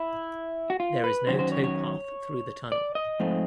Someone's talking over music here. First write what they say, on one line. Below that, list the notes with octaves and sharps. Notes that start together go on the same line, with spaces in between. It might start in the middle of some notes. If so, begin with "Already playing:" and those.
There is no towpath through the tunnel.
Already playing: E4
F#4
F4
B4
F#2 D#3 F#3 C#4 C5
C5
C#5
C#5
D5
D#5
G#2 F3 A3 C4